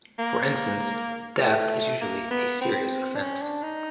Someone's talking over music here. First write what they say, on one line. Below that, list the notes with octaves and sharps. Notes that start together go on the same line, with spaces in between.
For instance, theft is usually a serious offence.
A#3
A3
A#3
B3
C4
D4
C#4
D4
D#4